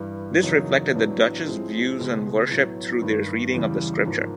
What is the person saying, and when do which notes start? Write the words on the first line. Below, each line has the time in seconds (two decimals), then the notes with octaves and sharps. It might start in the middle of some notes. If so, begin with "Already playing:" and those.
This reflected the Dutch's views on worship through their reading of the Scripture.
Already playing: G2 E3 G3
0.43 E2 C#3 F#3 A#3 D#4
0.95 A2 F#3 B3 D4
1.47 A2 F3 G#3 C4
1.99 C#2 B2 G#3
2.49 A2 F#3 B3
3.02 G2 D#3 G3
3.54 E2 C#3 E3 G3
4.06 G#2 F3 A#3